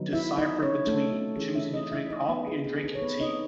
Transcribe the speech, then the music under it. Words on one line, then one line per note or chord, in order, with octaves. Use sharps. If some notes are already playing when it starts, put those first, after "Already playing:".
decipher between choosing to drink coffee and drinking tea?
Already playing: D#3 F#3 B3 D#4
E4 E5
D#4 D#5
C#4 C#5
A3 A4
F#4
E3 A3 C#4 E4 G#4
E4 E5
D#4 D#5
E4 E5
D#4 D#5
B3 B4
G#4
G#4
A4
D#3 A3 D#4 G#4
C#5
B3 B4
D#4 D#5